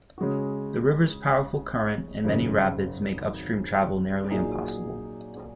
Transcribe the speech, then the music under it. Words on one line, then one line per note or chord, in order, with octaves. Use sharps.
The river's powerful current and many rapids make upstream travel nearly impossible.
C#3 G#3 F#4
G#1 F#2 C#3
A#2 F#3 D#4 G#4